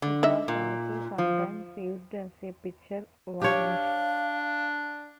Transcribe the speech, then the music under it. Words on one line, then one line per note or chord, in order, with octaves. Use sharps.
It was also sometimes used as a picture varnish.
D3
D#4 D#5 E5
A#2
F3
D4 G4 C#5 F5